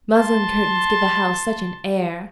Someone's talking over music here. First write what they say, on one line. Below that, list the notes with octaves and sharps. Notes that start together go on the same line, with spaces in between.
Muslin curtains give a house such an air.
A5 C6